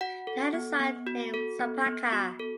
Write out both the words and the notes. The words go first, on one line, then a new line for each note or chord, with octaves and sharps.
They had a son named Sapaca.
F#4 F#5
A4
B3
B3
F#4
A4
B3
B3
F#4
A4